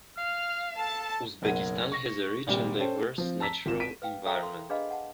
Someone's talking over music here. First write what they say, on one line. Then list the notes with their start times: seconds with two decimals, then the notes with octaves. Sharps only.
Uzbekistan has a rich and diverse natural environment.
0.17 F5 F6
0.78 A4 A5
1.42 F#1 B1 A#4 F#5 G#6 D#7
1.92 C#6 A#6
2.47 G#1 A#2 G3
2.79 C#4 A4 C5 G5
3.18 F3 C4
3.40 A5 A#5 E6 B6
3.66 G#1 F4 E7
3.80 B6 D7 D#7
4.02 B4 F5 G5
4.26 A4 A#4 E5 F5 G5 A#5
4.43 C6
4.70 D4 G#4 B4 D#5 F5 B5
4.91 F#5 A5